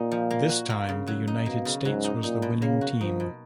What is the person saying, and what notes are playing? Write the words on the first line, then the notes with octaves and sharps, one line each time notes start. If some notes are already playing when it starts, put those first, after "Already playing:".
This time the United States was the winning team.
Already playing: A#2 A#3 D#4
F3
A#3
F#4
A#3
C#3
F#3
D#4
B2 A#3
C#3
G#2 F#3
D#4
A#2 D#4
B2
C#3 A#3
F#4
F3 D#4
B2